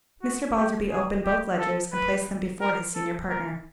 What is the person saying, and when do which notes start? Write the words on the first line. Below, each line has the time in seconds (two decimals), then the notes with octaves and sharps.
Mr. Balderby opened both ledgers, and placed them before his senior partner.
0.22 F#4
0.56 G4
0.91 G#4
1.25 G4
1.59 A4
1.93 B4
2.61 A#4
2.95 A4
3.30 A#4